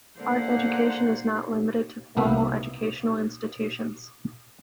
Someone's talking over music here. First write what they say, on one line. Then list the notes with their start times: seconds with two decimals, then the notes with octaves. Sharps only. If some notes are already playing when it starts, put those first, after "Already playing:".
Art education is not limited to formal educational institutions.
0.19 D3 A#3 C5 F#5
2.17 C2 A#3 B3 E5